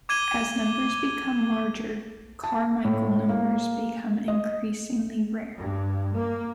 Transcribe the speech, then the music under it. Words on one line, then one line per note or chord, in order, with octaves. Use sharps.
As numbers become larger, Carmichael numbers become increasingly rare.
D6 G#6 D#7 G7
A5
A2
A#3
D#5
G2
A#3